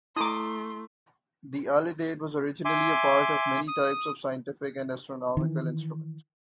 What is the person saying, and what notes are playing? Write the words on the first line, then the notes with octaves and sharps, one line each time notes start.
The alidade was originally a part of many types of scientific and astronomical instrument.
A3 E4 A#5 C6 D6 D#6
E5 G#5 C6 D6
D#6
D#3 E3